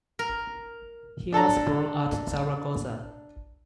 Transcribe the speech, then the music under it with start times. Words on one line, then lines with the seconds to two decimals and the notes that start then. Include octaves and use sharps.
He was born at Zaragoza.
0.19 A#4
1.33 D4 A4 A5 A#5